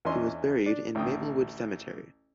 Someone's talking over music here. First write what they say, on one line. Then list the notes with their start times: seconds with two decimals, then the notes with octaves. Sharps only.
He was buried in Maplewood Cemetery.
0.05 E2 E3 C#4 D4 D#5 C6
0.66 D4
0.95 A1 D2 G5 D#6